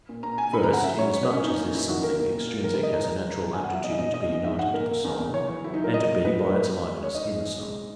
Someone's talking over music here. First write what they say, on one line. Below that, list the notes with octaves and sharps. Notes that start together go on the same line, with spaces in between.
First, inasmuch as this something extrinsic has a natural aptitude to be united to the soul, and to be by its likeness in the soul.
A#2
A#2 A#5
A#2 G#5
G#2 B5
A#5
G#2 F#5
F#2 E5
F#3 C#5
F#2 C#5
B4
A#3 C#4
A#3 D#4
C#4
A#2 D#4
F#2 E4
D#3 F#4
A#3 A#4
B2
A#2
A#3
G#2 A#4
B4
G#2 D#5
G#3 A#5
G#3
E3
E3
F#3 G#5
F#5
F#3
E5
B2 D#5
B2 D#5
E2 D#5
E2
G#2 E5
G#2 F#5
A#2 A#4
A#3
E2
E2
E3 C#5
E3
F#3 E4
D#4
F#3
A#4
F#3 D#5
F#3
F#3 B4
A#3 A#4
A#3 B4
A#3
G#3
G#3 C#5
G#2 D#5
G#2
F#2
G#3